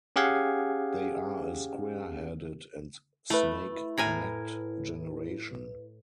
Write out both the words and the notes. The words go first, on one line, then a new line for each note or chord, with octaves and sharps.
They are a square-headed and snake-necked generation.
C#4 G4 G#4 F5 F#5 G#6
A3 E4 B4
A2 A#4 G#5